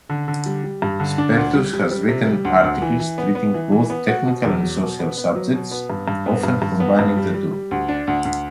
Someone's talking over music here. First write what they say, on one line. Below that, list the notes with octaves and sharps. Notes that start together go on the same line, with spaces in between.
Spertus has written articles treating both technical and social subjects, often combining the two.
D3
D3
G3
G3
G2
D3
D4
D2
G3
G3
G3
C3
G3
D2
D2
E3
E3
B3
B3
E3
E3
B3
F#4
B2
E2
F#3
B2
B3
B3
F#3
B2
B3
G2
G2
B3
G2
G2
B3
G2
G3
G3
G3
D2
D4
D2
D2